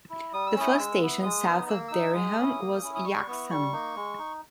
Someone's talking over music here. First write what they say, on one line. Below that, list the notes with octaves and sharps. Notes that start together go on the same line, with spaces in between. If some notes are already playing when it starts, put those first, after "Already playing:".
The first station south of Dereham was Yaxham.
E4
G3 D#6
E6
C#4 E4 D#6
G#3 E6
B3 E4
G#3 D#6
B3 D#4
A#3 E6
D#4 E6
G#3 D#6
C#4 E4
A#3
C#4 E4
D#6
G3 C#6
B3 E4
G3 C#6
A#3 D#4
G#3
D#4